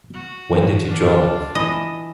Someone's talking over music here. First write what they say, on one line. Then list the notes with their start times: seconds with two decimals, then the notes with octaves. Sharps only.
When did you draw them?
0.14 F#4
0.87 D4 F4
1.55 E3 D#5 E5